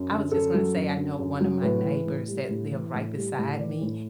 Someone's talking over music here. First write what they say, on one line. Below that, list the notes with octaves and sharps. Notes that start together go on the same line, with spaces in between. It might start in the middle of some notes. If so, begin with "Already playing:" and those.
I was just gonna say, I know one of my neighbors that live right beside me,
Already playing: F#2
D3
F#2 A4
F#3
F#2
D3
F#2
F#3
A2 B4
E3
A2
G3
A2
E3
A2
G3
A2
E3 D5
A2